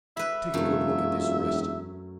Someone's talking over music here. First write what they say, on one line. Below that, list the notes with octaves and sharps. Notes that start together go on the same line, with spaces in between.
Take a good look at this wrist.
B4 E5 B5
E1 F#2 A3 F4